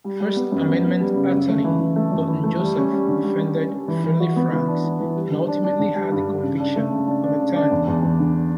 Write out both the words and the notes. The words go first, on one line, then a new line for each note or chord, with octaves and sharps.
First amendment attorney Burton Joseph defended "Friendly Frank's" and ultimately had the conviction overturned.
G3
G3
B3
F#2
B3
B3
G3
C#3
F#2
A3
E3
E3
A3
F#2
E3
A3
G3
C#4
G3
D3
G3
G3
C#4
G3
E3
E3
F#4
B3
E3
D4
E3
E3
G3
D3
D4
D4
D3
G3
G2
G3
C#3
D4
A3
C#3
D4
D4
C#3
D4
E2
E2
E2
D3